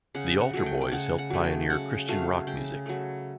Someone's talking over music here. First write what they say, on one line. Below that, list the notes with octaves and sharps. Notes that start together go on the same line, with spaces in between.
The Altar Boys helped pioneer Christian rock music.
C#3 F#5
F#5
F#3 A3
G5
G5
C#3 F#5
F#5
F#3 A3
G5
C#3 F#5
F#3 A3 F5
C#3 G5
F#3 A3